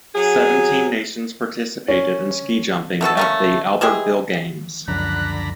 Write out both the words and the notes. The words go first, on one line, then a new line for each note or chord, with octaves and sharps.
Seventeen nations participated in ski jumping at the Albertville Games.
F#3 G#4
C#4
A3 B3 F#4 A4
A3 A#3 C#4
E3 G#3 G4 G#4
C#2 F#2 D3 F3 A#5 B5 F#6